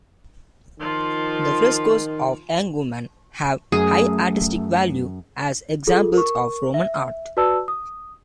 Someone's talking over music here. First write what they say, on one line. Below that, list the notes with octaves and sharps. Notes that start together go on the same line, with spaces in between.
The Frescos of young women have high artistic value as examples of Roman art.
D#3 F3 F4
F#2 A3 G#4
F4 G#4 A4
A#4 C#6
E5
F#4 B4 D5 A5 E6
D#6